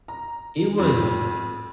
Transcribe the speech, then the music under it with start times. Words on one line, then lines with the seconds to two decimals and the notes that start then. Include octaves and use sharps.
it was
0.08 A#5
0.79 F2